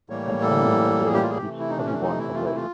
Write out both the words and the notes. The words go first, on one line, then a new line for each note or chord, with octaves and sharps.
An onion a day keeps everyone away.
A2 E3 G3 A#3 C#5
A4
G#4
G4
F4
G#4
C3 E3 A3 G4
E4
D#4
D4
C#4
D4
D#4
E4
F4
E4
F4